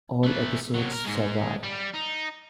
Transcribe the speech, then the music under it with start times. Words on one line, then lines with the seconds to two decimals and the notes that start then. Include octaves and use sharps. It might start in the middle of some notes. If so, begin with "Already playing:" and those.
All episodes survive.
0.23 A3 B4
0.75 C3 F#3
0.92 A#4
1.06 G#2 G#3
1.63 G3
1.94 D#4